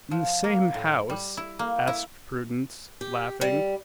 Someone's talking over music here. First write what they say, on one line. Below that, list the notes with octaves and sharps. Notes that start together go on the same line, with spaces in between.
"In the same house?" asked Prudence, laughing.
F3
A#3
A2
G3
E4
A#3
E4
G4
G3